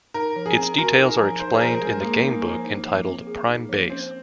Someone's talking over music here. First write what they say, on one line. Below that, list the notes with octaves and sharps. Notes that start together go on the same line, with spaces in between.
Its details are explained in the game book entitled Prime Base.
D#4 A#4
F3
G#4
C4
F#4 A#4
D#4
F3
D#4 C5
G#4
F3 A#4
G#3 G#4
A#3 G#4
D#4
F3
D#4
F3
C4
G#4
D#4
F3
C4 C#4